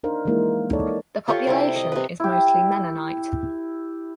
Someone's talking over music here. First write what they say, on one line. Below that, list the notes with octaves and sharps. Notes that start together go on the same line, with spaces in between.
The population is mostly Mennonite.
D4 D#4 A#4 C5 F5
E3 F3 G#3 A#3 D#4 E4
D#4 A4 C#5 D5
F4 G4 A4 C#5
C3 G3 E4
D#5
C3 B4
E4 G4